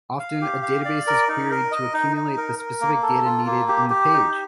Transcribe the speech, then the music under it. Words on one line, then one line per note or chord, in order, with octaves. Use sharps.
Often a database is queried to accumulate the specific data needed in the page.
F5
G4
F5
D5
A#4
D#4
A#4
D#5
D#4
D#4
A#4
A#4
A#3
A4
F4
A#3
G4
G4
D#4